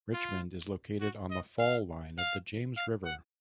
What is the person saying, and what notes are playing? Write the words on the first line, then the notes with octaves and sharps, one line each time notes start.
Richmond is located on the fall line of the James River.
F4
F#4
D#5
F5
F5
F5
F#5